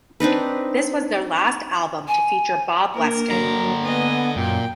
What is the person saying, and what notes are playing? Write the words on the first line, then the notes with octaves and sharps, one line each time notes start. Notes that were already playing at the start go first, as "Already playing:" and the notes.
This was their last album to feature Bob Weston.
C4 D4 D#4 B4
G#5
A#3 D4 A#4
D3 F#3 A#5
B3 D#5 G#5
F#2 A#2 G5